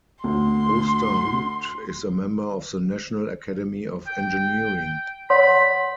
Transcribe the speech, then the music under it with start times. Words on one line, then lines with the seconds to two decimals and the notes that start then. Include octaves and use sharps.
Ousterhout is a member of the National Academy of Engineering.
0.24 D2 C6
4.07 G5
5.30 C#5 F#5 B5 C6